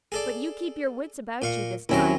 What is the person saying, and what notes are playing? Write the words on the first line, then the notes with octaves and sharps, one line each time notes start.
But you keep your wits about you this time.
G#4 A4 D5
A#2 F5 C#6
D#2 F#3 C4 C#4 E4 A#4